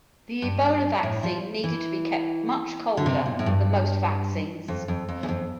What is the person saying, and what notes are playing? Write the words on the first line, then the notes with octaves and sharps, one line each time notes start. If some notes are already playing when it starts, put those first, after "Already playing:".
The Ebola vaccine needed to be kept much colder than most vaccines.
G2
A2
F3
E3
D3
C3
A#2
A2
G2
F2
F2
F2
E2
F2